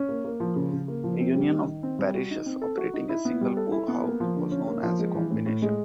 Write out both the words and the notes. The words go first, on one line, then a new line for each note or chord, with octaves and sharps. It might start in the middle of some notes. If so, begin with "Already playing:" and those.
A union of parishes operating a single poorhouse was known as a Combination.
Already playing: C#4
A#3
A#3
F3
C#3
C#3
A#3
F3
C4
G3
D#3
D#3
C4
G3
F#4
D#4
C4
A4
F#4
D#4
E4
B3
G3
A4
E4
B3
A#3
F3
D3
C#4
A#3
F3
G#3
E3
A2
A2
G#3